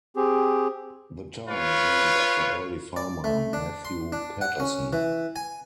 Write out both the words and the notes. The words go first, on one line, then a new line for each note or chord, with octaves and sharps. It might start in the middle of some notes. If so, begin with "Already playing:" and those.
The town is named after early farmer Matthew Paterson.
C4 G4 G#4
F4 B4 C#5
D5
A3
D4
C6
D4
F#5
C#4
E3
G#5